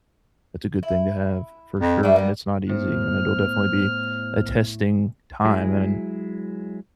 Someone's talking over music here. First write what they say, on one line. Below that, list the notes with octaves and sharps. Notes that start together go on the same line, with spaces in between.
that's a good thing to have, for sure, and it's not easy, and it'll definitely be a testing time, and,
E4
F2
G3 A3 G#4 E5
A#3 B3
A2 B3 C5 F6
F#3 G#3 E4 G#4